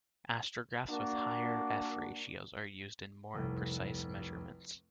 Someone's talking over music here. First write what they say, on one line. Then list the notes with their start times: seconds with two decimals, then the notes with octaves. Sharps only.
Astrographs with higher f-ratios are used in more precise measurements.
0.89 A#3 D4 F#4
3.34 F1 C2